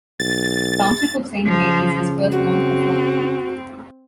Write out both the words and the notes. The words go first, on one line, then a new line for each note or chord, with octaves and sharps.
The township of Saint Marys was first known as South Creek.
B1 A6
C#3 F3
C4 F#4